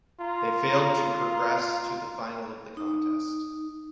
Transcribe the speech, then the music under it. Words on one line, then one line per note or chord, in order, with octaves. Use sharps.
They failed to progress to the final of the contest.
F4 A#5
D#4